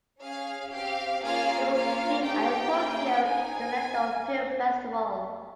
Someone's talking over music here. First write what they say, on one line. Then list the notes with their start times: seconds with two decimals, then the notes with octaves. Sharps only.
It was screened at the Tokyo International Film Festival.
0.21 C#4 G#4 F5
0.71 C4 G4 F5
1.22 A#3 C#4 F4 G#4 F5
1.73 A#3 C#4 F4 F5
2.23 C4 D#4 G4 G5
2.73 A#3 C#4 G#4
3.25 C4 D#4 G#4 G#5